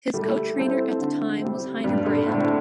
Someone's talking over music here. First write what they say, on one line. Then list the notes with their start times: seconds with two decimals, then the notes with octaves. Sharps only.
His co-trainer at the time was Heiner Brand.
0.14 G3 A3
0.56 C4 E4 A4 C5
0.99 D3
1.41 G3 C4
1.84 G2 G3
2.05 D3
2.26 A2 D3 C4 A4